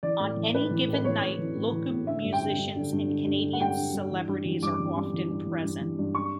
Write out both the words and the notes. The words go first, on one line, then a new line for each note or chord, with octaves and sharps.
On any given night, local musicians and Canadian celebrities are often present.
E3 D5
A2
E3
A2 B4
E3
A2
B4
E3 C#5
A2
E3
A2
E3
A2
D3 E5
G2
G5
D3
G2
D3
G2
D3
G2
D3
F#5
G2 G5
D3
G2
E3
G2
E3
G2 D6
E3
G2
E3
G2
E3
G2
E3
G2
C#6